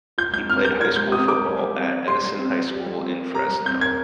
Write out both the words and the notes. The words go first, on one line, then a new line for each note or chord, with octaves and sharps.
He played high school football at Edison High School in Fresno.
F4 G6
G#3 G6
C4 F6
A#4 G6
F4 G#6
G#3 G6
C4 D#6
A#4 D6
G4
G3
C4
D5
G4 C6
G3
C4
D5
G4
G3
C4
A#4
G4 A#5
G3
C4 G6
A#4 G#6